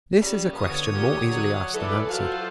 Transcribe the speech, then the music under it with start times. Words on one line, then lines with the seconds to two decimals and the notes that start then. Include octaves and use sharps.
This is a question more easily asked than answered.
0.20 A#2 C#3 G3
0.53 D3 F3 B3 C#5 D#6
0.92 A#2 G4
1.30 F#3
1.74 E3 A4 B4 D5
2.09 F#3 F4 A4 C5 F5